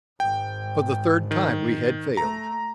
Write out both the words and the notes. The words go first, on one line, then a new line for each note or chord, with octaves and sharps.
For the third time we had failed.
G#1 G#2 G5
D#3
A3 A#5